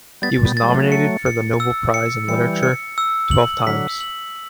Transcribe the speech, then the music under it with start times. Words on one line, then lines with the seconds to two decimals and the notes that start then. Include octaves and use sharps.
He was nominated for the Nobel prize in literature twelve times.
0.22 G3 B3 A6
0.45 G3 B3
0.57 A6
0.62 G3
0.68 F#3 A3
0.92 C#7
1.26 C#7
1.60 E6
1.94 C#7
2.28 E3 G3 C#7
2.63 C#7
2.98 E6
3.31 F#7
3.66 D3 F#3 B6
4.01 F#7